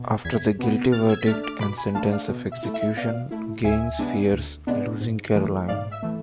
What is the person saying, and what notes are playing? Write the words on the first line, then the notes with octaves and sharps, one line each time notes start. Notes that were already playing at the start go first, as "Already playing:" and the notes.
After the guilty verdict and sentence of execution, Gaines fears losing Caroline.
Already playing: B2
E2 G#6 B6
B2 B3
B2 F6 A6
E6 G#6
B6
A3 D4 F6 A6
D6 F6
B2 B5 D6
G#5 B5
A3 D4 F5 A5
D5 F5
B2
E5
A3 E4
E5
B2 D5 F5
A3 E4
D2 E5 G#5
C3 G#3 B3 D4
D2
C3 G#3 B3 D4
G#2
E3 A3
G#2 D5 F5
E5
E3 A3